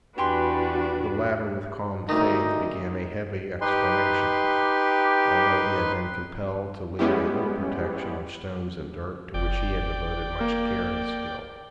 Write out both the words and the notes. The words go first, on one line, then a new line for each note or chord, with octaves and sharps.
The latter with calm faith began a heavy explanation, although he had been compelled to leave a little protection of stones and dirt to which he had devoted much care and skill.
E2 D4 F#4 G4 B4 G#5 C6
D2 D#3 D#4
D#4 G4 B4 C6
G3 G#3 B3 C#4 E4 G4
F#1 D5 G5
A#3